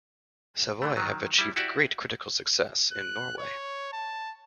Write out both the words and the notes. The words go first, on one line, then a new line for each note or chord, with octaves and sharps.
Savoy have achieved great critical success in Norway.
D3 E3 A3
D#3 F#3
G3 E4
E4 F#4 G4 D5 E5
F#6
C#5
A5